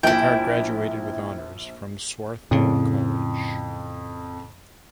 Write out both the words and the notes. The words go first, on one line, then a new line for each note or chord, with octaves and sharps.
Picard graduated with honors from Swarthmore College.
A#1 E4 G5
F2 A2 C#3